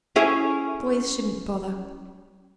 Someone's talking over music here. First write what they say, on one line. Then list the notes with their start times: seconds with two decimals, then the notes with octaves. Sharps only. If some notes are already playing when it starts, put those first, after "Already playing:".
Boys shouldn't bother.'
0.16 C#4 E4 G#4